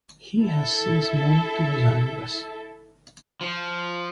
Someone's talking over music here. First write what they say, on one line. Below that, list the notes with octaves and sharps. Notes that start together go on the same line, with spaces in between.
He has since moved to Los Angeles.
E4 A4 E5
F3